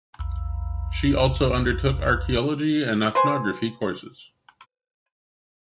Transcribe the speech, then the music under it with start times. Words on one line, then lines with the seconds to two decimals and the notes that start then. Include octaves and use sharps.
She also undertook archeology and ethnography courses.
0.19 A#1 E2
3.15 B4 C5 G#5